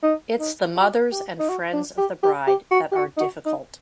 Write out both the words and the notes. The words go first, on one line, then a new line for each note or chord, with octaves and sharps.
It's the mothers and friends of the bride that are difficult.
D#4
D#4
F#4
G4
D#4
F#4
D4
G4
G4
G4
F#4
G4
F#4
D#4
F#4
D#4